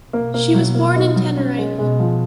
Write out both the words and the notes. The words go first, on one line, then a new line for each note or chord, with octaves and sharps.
She was born in Tenerife.
B2 A#3
A#3
F#3
A#3
D#4
F#3
C#4
G#3
B2 G#3
F3